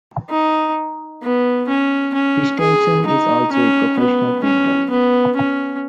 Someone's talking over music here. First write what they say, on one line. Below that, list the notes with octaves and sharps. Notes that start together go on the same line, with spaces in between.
Christensen is also a professional painter.
D#4
B3
C#4
C#4
G#4
D#4
C#4
B3
C#4
B3
C#4